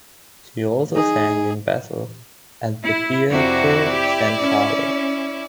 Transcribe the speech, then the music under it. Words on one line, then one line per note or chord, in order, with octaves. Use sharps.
She also sang in Basle at the Teatro San Carlo.
D#4 G#4
E4
F2 C3 E4 F#4 D5
G4
C#4